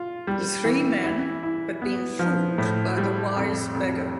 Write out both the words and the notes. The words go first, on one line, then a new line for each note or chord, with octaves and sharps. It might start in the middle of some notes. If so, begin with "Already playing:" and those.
The three men had been fooled by the wise beggar.
Already playing: F4
G3
E3
E4
E4
B3
F3
A2
G3
F2
F2